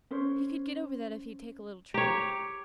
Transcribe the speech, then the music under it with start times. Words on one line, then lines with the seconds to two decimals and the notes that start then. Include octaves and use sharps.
He could get over that if he'd take a little trouble.
0.11 C#4 C5 C#5
1.94 G4 C#5 A#5